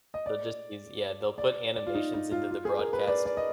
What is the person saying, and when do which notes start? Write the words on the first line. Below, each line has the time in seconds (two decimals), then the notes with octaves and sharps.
They'll just use yeah, they'll put animations into the broadcast.
0.14 D#5
0.26 D5
1.38 D5
1.76 D5
1.87 F4
1.95 D#4
2.14 D#4
2.31 F4
2.51 F4
2.65 G#4
2.79 A#4
2.93 B4
3.08 D5
3.26 D5
3.37 D#5